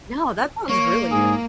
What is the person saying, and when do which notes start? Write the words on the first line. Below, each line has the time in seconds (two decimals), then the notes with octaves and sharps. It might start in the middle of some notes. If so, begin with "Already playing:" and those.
No, that sounds really good.
0.69 A#3 C#5
1.11 G#2 G#4